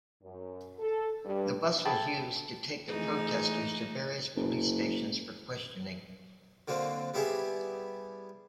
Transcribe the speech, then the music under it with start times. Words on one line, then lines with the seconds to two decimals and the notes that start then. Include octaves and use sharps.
The bus was used to take the protestors to various police stations for questioning.
0.22 F#2
0.79 A4
1.25 G2
1.85 G#4 A4 G5 B5
2.88 F2 E3 A3 D#4 G#4
4.35 F#1
6.68 D3 F#3 A#3 C4
7.14 G3 B3 E4 G4 G#4 E5